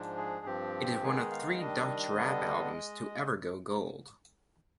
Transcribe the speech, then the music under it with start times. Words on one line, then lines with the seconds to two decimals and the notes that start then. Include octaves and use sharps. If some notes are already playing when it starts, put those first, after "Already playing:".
It is one of three Dutch Rap Albums to ever go gold.
Already playing: G#2 F3 G#3 D4
0.17 G#4
0.46 G2 F3 C4 G4
1.02 D#3 G#3 B3 D#4 G#4
1.31 F5
1.59 D#3 G3 D4 D#5
2.16 D3 G3 B3 D4
2.73 G#3